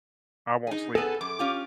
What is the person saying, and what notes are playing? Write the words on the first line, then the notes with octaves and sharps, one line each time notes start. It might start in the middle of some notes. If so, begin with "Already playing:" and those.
I won't sleep.
D#4 G#4
B3 G#4 A4
F#2 D6
C#4 F4 G4